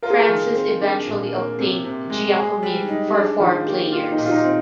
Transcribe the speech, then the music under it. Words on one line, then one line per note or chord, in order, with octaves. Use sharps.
Francis eventually obtained Giacomin for four players.
F4 A#4
G#4
A#4
D#3
C4
D4
A#2
A#3
C3
C3
G#3
G#4
G3
D#4
G4
D4 G#4
D#3 F4
A#3 G4
F4 G4
D#4
A#2
F4
D#4
C4